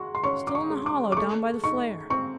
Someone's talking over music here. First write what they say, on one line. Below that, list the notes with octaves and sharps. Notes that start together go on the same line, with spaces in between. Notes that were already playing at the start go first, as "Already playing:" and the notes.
'Still in the hollow down by the flare.'
Already playing: G#3 F#4 C6 C#6
C6
C#4 C#6
D6
C#6
G#3
D6
D6
A3 C#6
D#4 C#6
C4 C#6